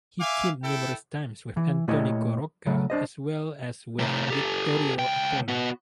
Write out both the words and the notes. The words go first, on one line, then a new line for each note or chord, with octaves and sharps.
He teamed numerous times with Antonino Rocca, as well as with Vittorio Apollo.
E5 F5 G#5 D6
E4 A4 G5
E3
A#2 A3 E4 G4 C#5 D#5
C#3 F#3 A3
D4 C5 D#5
A2 C3
G4 A4
C#2 G5
B3 F#4